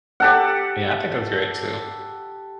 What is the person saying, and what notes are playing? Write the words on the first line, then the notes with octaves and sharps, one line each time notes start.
Yeah, I think that's great too,
G4 A4 F#5